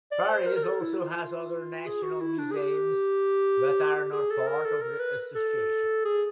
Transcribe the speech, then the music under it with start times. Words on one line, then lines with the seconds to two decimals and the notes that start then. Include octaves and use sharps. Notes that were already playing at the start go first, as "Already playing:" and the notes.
Paris also has other national museums that are not part of the association.
0.12 D5
0.29 C5
0.46 A#4
0.56 A#4
0.64 A4
0.81 E4
0.99 F4
1.86 G#4
2.03 F#4
2.21 E4
2.38 D4
2.51 G#4
2.56 G4
3.96 G4
4.12 G#4
4.31 A4
4.47 A#4
4.65 A4
4.82 A#4
5.00 B4
5.35 A4
6.05 G#4